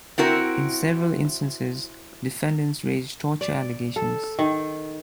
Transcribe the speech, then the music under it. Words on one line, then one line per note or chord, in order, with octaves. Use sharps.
In several instances defendants raised torture allegations.
C4 E4 F#4 A#4
D5
A4
D#3